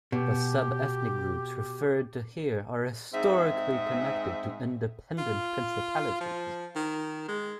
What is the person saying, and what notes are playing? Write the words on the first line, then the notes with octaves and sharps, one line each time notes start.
The subethnic groups referred to here are historically connected to independent Principalities.
B2 G4
G#2 G#3 C4 E5
F4
F3
D#3
G#3